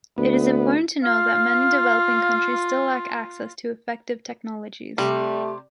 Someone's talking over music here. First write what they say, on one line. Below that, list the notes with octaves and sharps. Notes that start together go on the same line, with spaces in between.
It is important to note that many developing countries still lack access to effective technologies.
D2 B3
F4 F5
C3 G3 A3 G4